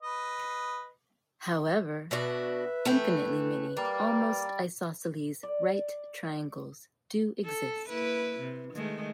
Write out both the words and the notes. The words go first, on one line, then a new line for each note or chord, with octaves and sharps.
However, infinitely many "almost-isosceles" right triangles do exist.
B4 D#5
B2 D4 F#4 B4 E5
E3 A3 G5
G3 A#3 D5
D5
A4
A#3 E4 B4
C3
D#3 G#3 A3